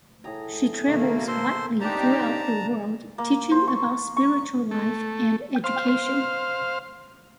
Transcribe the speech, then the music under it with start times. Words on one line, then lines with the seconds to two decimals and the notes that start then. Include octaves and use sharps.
She travels widely throughout the world teaching about spiritual life and education.
0.24 A2 G#4 A#5
0.88 B2 D#3 A3 A#3 A#4 F5
1.28 A4 C5 C6
1.81 C4 D4 D#4 G4 D5 A5 A#5
3.18 A#3
3.51 C5
3.67 C#6
4.17 C#6
4.71 A3
5.64 C5 F5